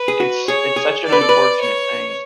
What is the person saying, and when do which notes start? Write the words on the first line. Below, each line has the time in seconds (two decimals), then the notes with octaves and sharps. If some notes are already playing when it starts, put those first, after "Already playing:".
it's it's such an unfortunate thing.
Already playing: B4
0.08 G#4
0.20 F#4
0.48 G#4 C#5
0.76 G#4
1.05 D5
1.12 B4
1.21 A4
1.29 B4
1.61 C#5